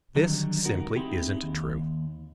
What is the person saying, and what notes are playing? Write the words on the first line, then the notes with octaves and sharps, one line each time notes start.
This simply isn't true.
D3 D#3 F#3 G3
C#2 D#4 F#4 A#4
C4 D#4 E4 G4 G#4
D#2